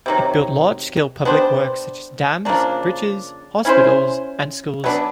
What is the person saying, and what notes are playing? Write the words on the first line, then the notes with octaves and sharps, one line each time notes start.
It built large-scale public works such as dams, bridges, hospitals, and schools.
C3 D#3 F#3
B3 D4 G4 C5
C#3 F3 A#3 D4
C#4 E4 G#4 C5
F#3 B3 D4